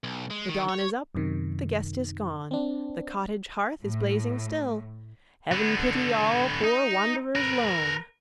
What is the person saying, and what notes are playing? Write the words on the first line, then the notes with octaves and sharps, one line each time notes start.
The dawn is up--the guest is gone, The cottage hearth is blazing still; Heaven pity all poor wanderers lone!
B1
G#3
D#3
C#5
F#2 C3 D#3
C4 D4
A2
D3 B3
D#4
A#4 B4